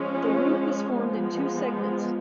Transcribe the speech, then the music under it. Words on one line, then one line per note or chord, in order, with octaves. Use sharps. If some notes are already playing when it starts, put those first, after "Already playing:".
The route was formed in two segments.
Already playing: F3 G#3 C#4
F3 G#3 B3